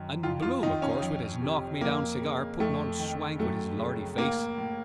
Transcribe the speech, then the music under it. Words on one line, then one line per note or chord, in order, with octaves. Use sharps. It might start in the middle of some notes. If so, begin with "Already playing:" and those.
And Bloom, of course, with his knockmedown cigar putting on swank with his lardy face.
Already playing: F#2 D#3
F2 F4
F4
D#3 D#4
C#4
F2
C3
F2 A#3
C#3
F2 A3
D#3
F#2 A3
C#3
A2 A#3
A2